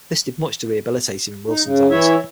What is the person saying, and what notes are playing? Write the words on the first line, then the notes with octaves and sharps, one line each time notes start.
This did much to rehabilitate him in Wilson's eyes.
D#4
C#3
E3 E4 C#5 E5